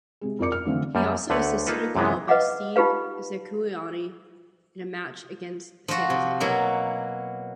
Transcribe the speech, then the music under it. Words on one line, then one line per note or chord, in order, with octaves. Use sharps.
He also assisted a goal by Steve Zakuani in a match against San Jose.
C3 G#3
F2 F4 A#4 D5 D6 C#7
F6
D3 E3 F3 A3 C4
F#2 G3
D2 D3 A3 B4 C#5 F#5
A#3 D#4 F4 A4 B4
F#2 C3 E3 G#3 B3
B4 D#5 F5 F#5 D6
D#4 F4 G4 B4 F5
F3 F#4
C3
B2 F#3 A#3 E4